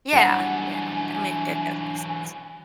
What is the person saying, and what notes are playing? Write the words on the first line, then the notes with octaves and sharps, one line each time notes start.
Yeah, yeah, that mak that does make sense.
E3 F#3 G3 D4 F#5 G#5